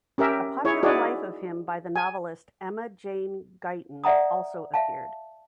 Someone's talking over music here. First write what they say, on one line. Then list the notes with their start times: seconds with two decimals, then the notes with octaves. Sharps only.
A popular life of him by the novelist Emma Jane Guyton also appeared.
0.18 C#4 G4 A#4 E5
0.65 E4 G#4 C#5
0.83 D#4 E4 F#4 G#4 C#5 D5
1.96 G#5
4.04 D5 E5 F#5 A#5 D#6
4.74 E5 F5 A5